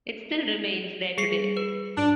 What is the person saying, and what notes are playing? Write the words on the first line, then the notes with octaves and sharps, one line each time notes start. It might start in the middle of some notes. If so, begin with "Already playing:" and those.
It still remains there today.
G3 G#4 C7 C#7
B4
G#2 D4